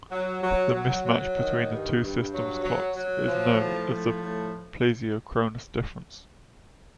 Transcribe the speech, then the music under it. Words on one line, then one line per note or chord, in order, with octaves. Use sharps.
The mismatch between the two systems' clocks is known as the plesiochronous difference.
F#3
F#3
F#3
F#3
D#3
G2
G2
F#3
F#3
F#3
F3
A2
F3
A2